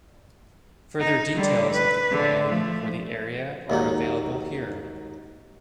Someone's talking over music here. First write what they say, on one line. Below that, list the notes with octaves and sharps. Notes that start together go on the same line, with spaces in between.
Further details of the plan for the area are available here.
D#4
D3 G3
B4
D3
F3 A3
D#2 G#2 F#3